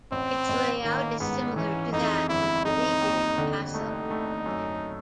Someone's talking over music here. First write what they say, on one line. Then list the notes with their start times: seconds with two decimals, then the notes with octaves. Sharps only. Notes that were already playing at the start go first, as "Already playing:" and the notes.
Its layout is similar to that of Beleaguered Castle.
0.12 A1 C4
0.49 A1
0.84 D#3 A#3
1.20 G#2 B3
1.56 E3 C#4
1.92 F2 D#4
2.29 G1 E4
2.65 F2 D#4
3.01 D#2
3.38 D3
3.74 A3 D#4
4.10 A3
4.46 F#2